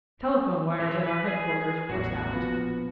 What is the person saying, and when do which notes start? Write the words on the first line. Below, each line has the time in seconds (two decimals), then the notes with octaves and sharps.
Telephone wires at our headquarters were tapped.
0.80 G#3 E5
1.03 B4
1.25 G#4
1.90 A1 E2 F#4
2.33 A#1 F3 B3